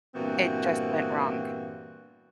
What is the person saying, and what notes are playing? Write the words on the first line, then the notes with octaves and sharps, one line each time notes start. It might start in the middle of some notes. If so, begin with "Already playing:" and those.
it just went wrong,
G2 A#2 E3 B3 C4 F#4